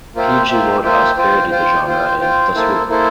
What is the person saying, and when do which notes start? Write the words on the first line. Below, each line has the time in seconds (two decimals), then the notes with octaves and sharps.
P. G. Wodehouse parodied the genre in The Swoop!
0.15 A#3 F4 C5 E5 G5
0.50 A#3 F4 C5 E5 G5
0.83 A#3 F4 C5 E5 G5
1.17 F4 C5 G5
1.51 F4 C5 G5
1.87 F4 C5 G5
2.20 F4 C5 G5
2.55 A#3 E4 A4 C5
2.89 A#3 E4 A4 C5